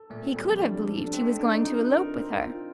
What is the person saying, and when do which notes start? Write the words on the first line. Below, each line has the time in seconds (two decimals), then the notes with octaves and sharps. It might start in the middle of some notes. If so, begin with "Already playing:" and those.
He could have believed he was going to elope with her.
Already playing: A4
0.10 A#2 A3
0.23 C4
0.36 G3 A3
0.49 F3
0.62 D4
0.88 A4
1.07 D4
1.13 A3 C4
1.26 D4
1.39 D4 D#4
1.52 D#4
1.65 D#4 F4
1.91 A#4
2.16 C4
2.41 F4